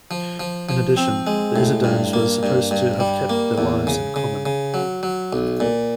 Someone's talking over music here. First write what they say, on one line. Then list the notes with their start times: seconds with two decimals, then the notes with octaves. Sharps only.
In addition, the Issedones were supposed to have kept their wives in common.
0.11 F3
0.40 F3
0.69 F3
0.97 C4
1.27 G#3
1.56 A2
1.84 G2
2.13 A#3
2.43 G2
2.71 G2
3.00 G3
3.30 A#3
3.58 E2
3.87 C#3
4.16 C#3
4.46 C#3
4.74 F#3
5.03 F#3
5.33 B1
5.60 A#2